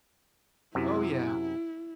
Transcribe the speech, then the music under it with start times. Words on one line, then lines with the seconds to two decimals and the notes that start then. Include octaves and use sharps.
Oh, yeah,
0.75 F#2 C3 E4